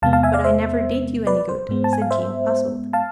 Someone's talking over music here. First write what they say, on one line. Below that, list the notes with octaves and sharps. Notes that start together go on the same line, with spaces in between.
"But I never did you any good," said Jean, puzzled.
E2 C3 G#3 B3 F5 A5
F5 A5
E5 G#5
D5 F5
C5 E5
B4 D5
C5
G#2 G#3 B3
A5
G#5
F5
C5 E5
F5 A5